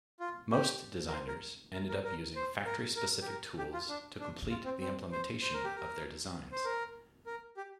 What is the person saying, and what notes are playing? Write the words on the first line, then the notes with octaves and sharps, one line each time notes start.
Most designers ended up using factory-specific tools to complete the implementation of their designs.
F4
G4
A#4
C5
A#4
A#4
A#4
A#4
C5
A#4
A#4
G4
A#4
G4
F4
D4
D4
F4
C4
C4
C5
C5
A#4
G4
A#4
C5
A#4
A#4
G4